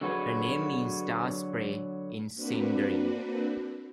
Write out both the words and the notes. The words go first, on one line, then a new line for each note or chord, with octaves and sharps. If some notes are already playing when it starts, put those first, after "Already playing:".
Her name means "Star-spray" in Sindarin.
D3 F#3 F#4 G#4 B4
A#3 C4 D4 F#4 B4